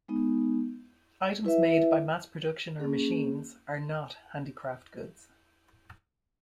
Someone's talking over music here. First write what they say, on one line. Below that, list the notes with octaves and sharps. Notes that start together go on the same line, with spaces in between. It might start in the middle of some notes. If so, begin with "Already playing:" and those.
Items made by mass production or machines are not handicraft goods.
G#3 B3 D#4
E4 B4 E5
A#3 C#4 G#4